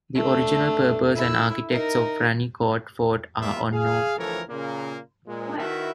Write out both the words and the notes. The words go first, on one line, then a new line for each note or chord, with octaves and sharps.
The original purpose and architects of Ranikot Fort are unknown.
A3 D4
E4 E5
D#4 A#4
E2 A#2 G3 A#3 F4 E5
G#4 F5
D2 E3 F3 A4 A#4 C#5
A#2 C#3 A#3
A#2 G#3
D#3 E4 F#4 A#4 B4 E5